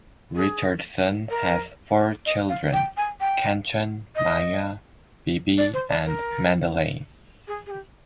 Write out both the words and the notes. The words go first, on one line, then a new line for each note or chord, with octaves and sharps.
Richardson has four children, Kanchan, Maya, Bibi and Madeleine.
G#4
A#4
D#5
F5
G5
G#5
G5
D#5
D5
C5
D5
A#4
G#4
G#4
G4